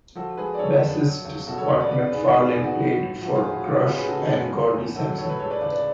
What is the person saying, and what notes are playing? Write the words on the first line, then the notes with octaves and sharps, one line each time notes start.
Bassist Scott MacFarlane played for Crush and Gordie Sampson.
F3 F#4 A4
G#3 G#4 B4
D5
C#3 A4 C#5
F2
F#3
C#2
B2 F#4 A4
A4 C#5
C#2 C#5 F5
B4 D5
B3 B4 D5
G#2 G#4 B4
G#3 B4 D5
G#4 B4
G#2
F#4
B3
A2
F3 F#4
F4 G#4
A2
F#4
G#3 F4
F#4
C#4 F4 G#4
G#4 B4
C#3 F#4 A4
F#2
C#4
A2
F#3 F#4 A4
A2 A4 C#5
B4
G#3 A4 C#5
B4 D5
C#2 B4 D5
B4 D5